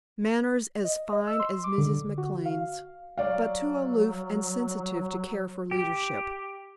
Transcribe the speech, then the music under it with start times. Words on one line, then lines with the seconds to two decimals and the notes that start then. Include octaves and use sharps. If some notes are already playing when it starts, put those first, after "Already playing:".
Manners as fine as Mrs. McLane's, but too aloof and sensitive to care for leadership.
0.85 D#5
1.13 D#5
1.27 E6
1.40 C6
1.64 D6
1.78 D3
2.18 F#4
2.46 F5
3.18 F#3 C#5 D5 F5
5.71 G4